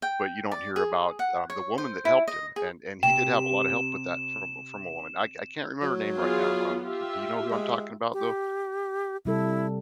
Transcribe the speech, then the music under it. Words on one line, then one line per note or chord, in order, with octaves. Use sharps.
but you don't hear about, um, the woman that helped him, and and he did have a lotta help with that from a from a woman. I c I can't remember her name right now, um, do y do you know who I'm talking about, though?
G5
D5
G#4
F#5
C#5
C5
E4
D#5
G#4
C3 G5 E7
F#3
B3 F4 G#4
F4 G4 E5
G#3
G4
C3 G3 E4 A4